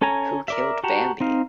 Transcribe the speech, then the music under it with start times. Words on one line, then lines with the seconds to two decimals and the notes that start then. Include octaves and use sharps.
Who killed Bambi?
0.01 C#4 A4 C#5 G#5 A#5
0.48 A#4 D5 E5
0.84 F#4 G4 F#5 A5 A#5
1.20 C4 D#4 F5